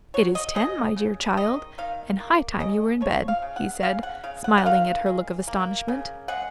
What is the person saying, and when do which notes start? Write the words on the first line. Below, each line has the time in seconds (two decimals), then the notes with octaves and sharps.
"It is ten, my dear child, and high time you were in bed," he said, smiling at her look of astonishment.
0.14 F#3 C#5
0.35 D#5
0.55 C#3 D#5
0.96 C#3
1.37 D#3 D#5
1.78 D#3 F5
2.20 A#3
2.60 C#3 D#5
3.01 F3 C#5
3.28 F5
3.42 C#3
3.56 F#5
3.83 C#3 F5
4.03 F#5
4.24 C#3 F5
4.44 F#5
4.58 F#5
4.65 D#3 F5
5.06 G#3
5.48 A#3
5.88 C#3
6.28 G#3 F#5